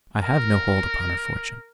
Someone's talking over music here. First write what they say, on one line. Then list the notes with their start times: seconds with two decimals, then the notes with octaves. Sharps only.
"I have no hold upon her fortune."
0.23 A#4